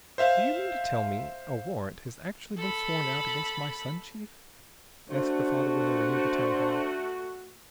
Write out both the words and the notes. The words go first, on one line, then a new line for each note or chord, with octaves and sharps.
"Do you mean to tell me a warrant has actually been sworn out against my son, Chief?" asked the father, when they were near the town hall.
C5 E5 F5
A4 B5
A3 D4 F#4 C5